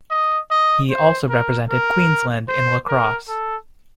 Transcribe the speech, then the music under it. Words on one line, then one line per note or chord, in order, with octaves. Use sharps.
He also represented Queensland in lacrosse.
D#5
D#5
C5
A#4
A#4
C5
A#4
A4